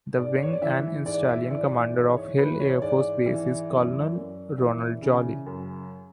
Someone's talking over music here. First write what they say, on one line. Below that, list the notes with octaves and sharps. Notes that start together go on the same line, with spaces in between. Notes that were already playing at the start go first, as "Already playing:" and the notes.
The Wing and Installation Commander of Hill Air Force Base is Colonel Ronald Jolly.
G#2 D5
C#5
D5
E3 E5
G#2 D5
E5
E3 D5
D5
G#2 D5
C#5
E3 B4
C#5
C#5
G#2 D5
E3
F#2
F#2
E3
C#3
F#2